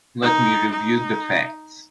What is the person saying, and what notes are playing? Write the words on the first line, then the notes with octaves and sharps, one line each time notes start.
Let me review the facts.
D#4
D#4